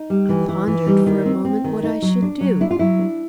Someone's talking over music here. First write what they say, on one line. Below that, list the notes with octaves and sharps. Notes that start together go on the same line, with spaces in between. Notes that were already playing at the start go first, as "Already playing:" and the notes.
I pondered for a moment what I should do!
Already playing: D#4
G3
E3
E3
E3
G3 D#4
D#3
C4
C4
D#3
D#4
F#3
D4
F#3
D4 E4
F4
F#3 E4
D4